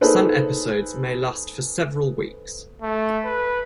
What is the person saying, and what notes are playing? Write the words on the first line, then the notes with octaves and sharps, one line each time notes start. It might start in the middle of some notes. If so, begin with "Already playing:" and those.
Some episodes may last for several weeks.
A#3 D#4 G#4 A4 B4 C5
A3
B4